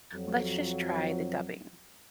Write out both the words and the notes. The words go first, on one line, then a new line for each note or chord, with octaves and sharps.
let's just try the dubbing,
F2 F#3